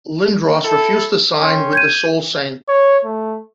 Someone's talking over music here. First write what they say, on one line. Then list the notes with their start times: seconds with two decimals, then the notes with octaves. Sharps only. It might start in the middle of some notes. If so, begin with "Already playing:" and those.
Lindros refused to sign with the Sault Ste.
0.62 E4 A4
1.39 C#4 G5 C6
1.73 G6 G#6 D#7
2.68 C#5
3.05 A3